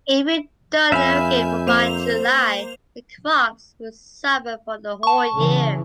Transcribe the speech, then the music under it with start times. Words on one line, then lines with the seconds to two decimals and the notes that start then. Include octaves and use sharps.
If you don’t irrigate by July, the crops will suffer for the whole year.
0.92 F2 E5 F5 G#5 B5 G6
1.67 A#3 C5 F7
5.03 A5 C#6
5.35 C#3 E3